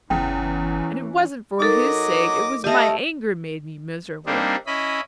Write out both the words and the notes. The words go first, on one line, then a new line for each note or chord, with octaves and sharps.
And it wasn't for his sake, it was my anger made me miserable.
G1 E2 C#3 E3 C#4 G5
F#3 D#4 A4 A#4 D#5 D6
A3 G4 D#5 F5 G#5
G3 A#3 C4 D4 D#4
C#4 E4 D#5 B5